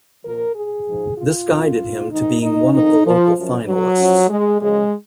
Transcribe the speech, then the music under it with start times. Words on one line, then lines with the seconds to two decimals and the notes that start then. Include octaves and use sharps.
This guided him to being one of the local finalists.
0.24 A#2 F3 A#4
0.55 G#4
0.87 G#2 F3
1.18 F4
1.49 F2 D#3
2.11 G#2 D#3 D#4
2.42 D#4
2.73 F2 D#3 D#4
3.05 F3
3.36 F#2 F3
3.67 F#3
3.98 F#2 F3
4.29 G#3
4.60 F#2 C#3 F3 G#3